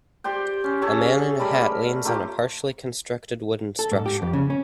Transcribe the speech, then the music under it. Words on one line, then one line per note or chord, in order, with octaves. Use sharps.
A man in a hat leans on a partially constructed wooden structure.
G4 C5 D5 G5
C#4
C#4 G#4 A4 C#5
G3 A3 A#4 B5
A3 A#3 F4 G4
A4
G#2
G4
F2
C#3
C#4